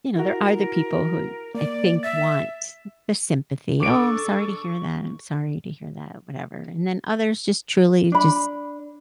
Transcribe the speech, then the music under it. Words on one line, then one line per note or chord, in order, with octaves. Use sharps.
you know, there are the people, who I think want the sympathy, "Oh, I'm sorry to hear that, I'm sorry to hear that," whatever, and then others just truly, just
E4 F#4 A#4
A#3 D5
E5 A6
D4 A4 C#6 D6 D7
D4 B5